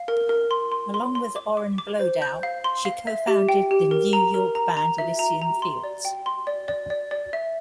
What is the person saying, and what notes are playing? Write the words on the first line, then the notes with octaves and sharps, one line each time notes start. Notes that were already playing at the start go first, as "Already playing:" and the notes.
Along with Oren Bloedow, she co-founded the New York band Elysian Fields.
Already playing: F5
A#4
A#4
C6
C6
C6
C6
D6
D6
D6
C5
G6
F5
C6
F5
E5
G4
G5
G4
A#4
A#5
A#4
A#5
A#5
E5
A#5
A#5
C6
D5
G5
C6
D5
D5
D5
D5
E5